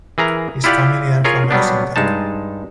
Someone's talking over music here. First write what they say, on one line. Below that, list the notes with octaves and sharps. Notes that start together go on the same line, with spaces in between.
His family are from Erzincan.
E3 G#4 A#4 A#5
E4 F4 G4 D5 F5 F#5
F4 G#4 A#4 C#5
F#3 G3 B3 D4
G2 G#3 D#4 A5